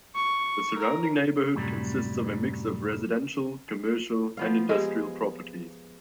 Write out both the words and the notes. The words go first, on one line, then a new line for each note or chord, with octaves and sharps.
The surrounding neighborhood consists of a mix of residential, commercial, and industrial properties.
C#6
A#4
F#2 A2 C3 F#3 G3
F3 B3 F5
G#3 G4 D#5